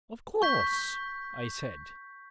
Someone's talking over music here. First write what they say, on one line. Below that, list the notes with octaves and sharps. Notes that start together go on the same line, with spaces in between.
"Of course," I said.
C#6 G6 B6